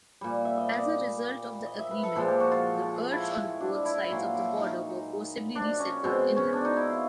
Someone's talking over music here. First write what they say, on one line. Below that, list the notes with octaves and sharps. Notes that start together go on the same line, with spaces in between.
As a result of the agreement, the Kurds on both sides of the border were forcibly resettled inland.
A#2 G3
E5
D#5
D5
D#5
E5
B4
A4
A#2 F3 G#3 A4
G4
F#4
F4
E4
D4
E4
A#2 F#3 F4
E4
D#4
D4
C#4
B2 G#3 C4
C#4
D4
D#4
E4
F4